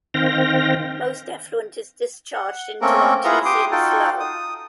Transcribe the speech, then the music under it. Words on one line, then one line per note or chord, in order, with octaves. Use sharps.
Most effluent is discharged into Artesian Slough.
D#3 C4 F5 G5 A#6
F#5
A3 A#3 C4 C#4 A4 A#4
E4 F4 G#4 B4 F#5 A#5
G4 C6 D6 D#6
D#4 F4 F#4 A4 G5 A5
D#6